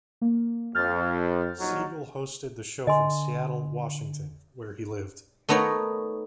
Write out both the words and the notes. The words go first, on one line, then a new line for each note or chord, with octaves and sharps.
Siegel hosted the show from Seattle, Washington, where he lived.
A#3
F2 F6 G6 A6
A#1 F#3 D#4
D3 D#5 G#5 C6
A3 B3 D#4 A#4 C#5